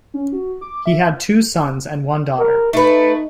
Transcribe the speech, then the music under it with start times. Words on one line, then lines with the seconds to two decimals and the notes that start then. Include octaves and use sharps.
He had two sons and one daughter.
0.14 C#4
0.33 F#4
0.61 D6
0.86 E5
2.39 A#4
2.73 A3 D#4 B4